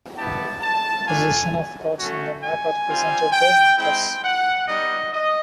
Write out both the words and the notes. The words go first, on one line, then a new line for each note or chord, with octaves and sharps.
Positions of cards on the map are represented by markers.
B3 E4 G4 A5
A5
A3 D4 F4 G#5
A3 C#4 F#4
G#5
G3 C4 F4
G5
G#3 C4 E4 G5
F#5
G3 B3 D#4 D#5
D#5